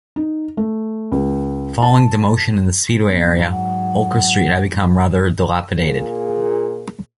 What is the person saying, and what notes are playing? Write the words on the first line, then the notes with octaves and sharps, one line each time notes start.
Following demotion and the speedway era, Holker Street had become rather dilapidated.
D#4
A3
C#2
A5
G#2 F#3 B3
F#5
A#2 G#4